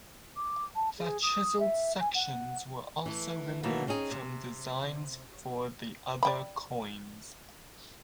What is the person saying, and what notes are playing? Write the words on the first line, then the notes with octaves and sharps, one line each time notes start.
The chiseled sections were also removed from designs for the other coins.
D6
A5
G#4
D#6
E5
G#5
F#5
E3 A3
B2 E3 F#3 A3 A#3
C4 C#4 D#4 G#4
C3
D5 G5 B5